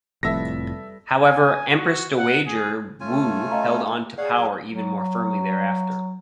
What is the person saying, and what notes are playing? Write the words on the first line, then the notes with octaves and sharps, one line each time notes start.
However, Empress Dowager Wu held onto power even more firmly thereafter.
F1 F2 A2 G3 A4 B4 E5 A#6
G#5
F#4
F#5
G#4
A3 C#4 F4 G#5
D#5 F5 A#5
G#4 C#5 D5 F5 F#5
F#3 C#5
F#3